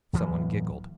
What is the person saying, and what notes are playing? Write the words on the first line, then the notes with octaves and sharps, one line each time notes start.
Some one giggled.
D1 E3 F#3 A#3